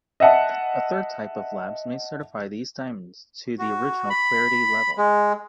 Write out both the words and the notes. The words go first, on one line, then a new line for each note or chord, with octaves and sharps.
A third type of labs may certify these diamonds to the original clarity level.
D#5 E5 F#5 A5
F#4
B5
G#3